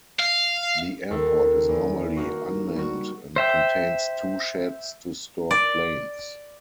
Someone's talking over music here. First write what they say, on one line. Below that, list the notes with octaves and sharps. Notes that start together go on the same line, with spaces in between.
The Airport is normally un-manned and contains two sheds to store planes.
F5
D#2 A4
E2
A#3 D#4 F#4
G3 F#4
C5 E5 G5
D5